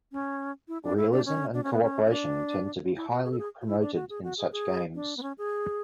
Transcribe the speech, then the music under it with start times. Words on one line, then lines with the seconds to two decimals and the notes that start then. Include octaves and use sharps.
Realism and cooperation tend to be highly promoted in such games.
0.12 C#4
0.68 E4
0.83 D4
0.97 E4
1.12 D4
1.26 C#4
1.54 D4
1.63 C#4
1.73 B3
1.82 C#4
2.05 C#4
2.10 D4
2.96 E4
3.10 F#4
3.25 G#4
3.31 A4
3.39 G#4
3.61 F#4
3.66 E4
3.81 D4
3.95 F#4
4.10 G#4
4.24 F#4
4.38 G#4
4.52 G#4
4.94 D4
5.17 B3
5.23 C#4
5.38 G#4